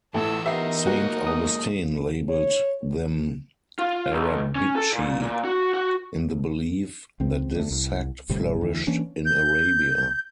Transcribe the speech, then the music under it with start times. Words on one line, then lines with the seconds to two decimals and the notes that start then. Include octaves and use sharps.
Saint Augustine labelled them "Arabici" in the belief that this sect flourished in Arabia.
0.14 A1 A2 E3 A3 F4 F#5 A5 E6
0.46 B3 D#4 G4 A#4 E5 C7
0.87 F#3 G#3 A#3 F#4
1.27 D#6
2.29 C#5
3.79 F4
4.12 B1
4.55 C#4
4.76 A4
4.93 A#2
5.22 A#2
5.45 F#4
5.74 F#4
7.20 C#2 C4
7.56 D2 A3
7.71 C2
8.29 G1 A2 C3 G3
8.61 D2 E3
8.87 E3 A#3 C#4 D4
9.25 G6